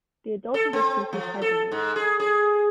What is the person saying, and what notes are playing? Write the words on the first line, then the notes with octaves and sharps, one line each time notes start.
The adults of the species hibernate.
A4
C4
F3
A4
G#2
G#4
G#4